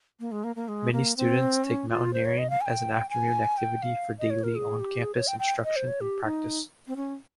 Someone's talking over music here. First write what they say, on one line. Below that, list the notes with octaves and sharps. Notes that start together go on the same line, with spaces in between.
Many students take mountaineering as an afternoon activity for daily on-campus instruction and practice.
A#3
G#3
A#3
A#3
G#3
A#3
C4
C#4
F4
C5
C#5
D#5
F5
G#5
G5
G#5
G5
F5
D#5
C#5
A#4
G#4
G4
G#4
C#5
G5
G5
D#5
C5
C#5
G4
D#4
C4
C#4